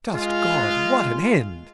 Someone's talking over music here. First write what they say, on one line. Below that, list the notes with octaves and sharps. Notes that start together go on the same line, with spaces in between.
Just God, what an end!
G#3 F4